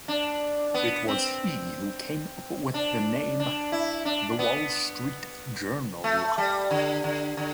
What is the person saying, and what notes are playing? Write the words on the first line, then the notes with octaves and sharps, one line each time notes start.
It was he who came up with the name "The Wall Street Journal".
D4
B3
C4
D4
D4
E4
D4
B3
A3
G3
D3
D3
D3